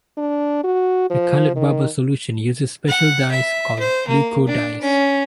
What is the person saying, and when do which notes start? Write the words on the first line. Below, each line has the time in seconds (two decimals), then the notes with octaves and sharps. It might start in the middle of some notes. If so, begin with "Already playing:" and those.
The colored bubble solution uses special dyes called leuco dyes.
0.17 D4
0.64 F#4
1.10 F3
1.56 D#3
2.88 F#5
3.31 E5
3.79 C5
4.07 A#3
4.47 D4
4.81 C#4